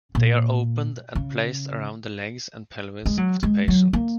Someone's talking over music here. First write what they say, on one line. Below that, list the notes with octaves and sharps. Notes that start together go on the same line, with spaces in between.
They are opened and placed around the legs and pelvis of the patient.
A#2
C#3
G#3
F#3
G#3
F#3
A#3